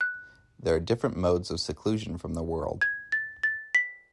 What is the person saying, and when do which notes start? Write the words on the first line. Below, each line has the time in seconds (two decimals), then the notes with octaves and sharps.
There are different modes of seclusion from the world.
0.01 F#6
2.81 G#6
3.12 A6
3.43 A6
3.75 B6